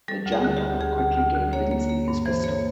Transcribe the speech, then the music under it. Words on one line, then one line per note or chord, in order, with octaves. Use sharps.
The jamadar quickly gave Lindsay his pistol.
G3 A4
D2
G#4
D3
G4
D2
D2 G#4
D2
D2
D3
A#3 C#5
A#3
A#3
G2
E3 C5
A#3 C#5